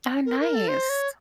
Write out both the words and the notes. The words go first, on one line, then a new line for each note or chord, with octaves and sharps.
Oh, nice.
A#4
A#4
A4
C5
C#5